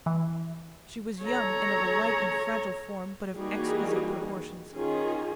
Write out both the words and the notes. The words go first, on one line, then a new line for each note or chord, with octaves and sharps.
She was young, and of a light and fragile form, but of exquisite proportions.
E3
A4 C#5 A#5
E3 G3 A#3 D#4 F#4 G#4
D#3 C#4 D#4 F4 G#4